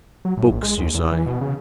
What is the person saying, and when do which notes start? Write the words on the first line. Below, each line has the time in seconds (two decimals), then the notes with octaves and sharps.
"Books," you say.
0.25 F#3
0.37 A2
0.51 A#1
0.63 G#3
0.78 D#2
0.94 E2
1.12 E3
1.26 B2
1.41 C#3